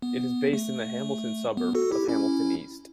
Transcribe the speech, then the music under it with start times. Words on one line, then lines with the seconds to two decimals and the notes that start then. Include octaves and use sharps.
It is based in the Hamilton suburb of Hamilton East.
0.02 B3
0.53 A3
1.57 B3
1.75 F#4 A4
1.92 E4 G4
2.09 C#4 E4